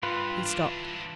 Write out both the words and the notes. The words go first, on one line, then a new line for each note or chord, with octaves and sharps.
He stopped.
G2 F4 B4
E3 D4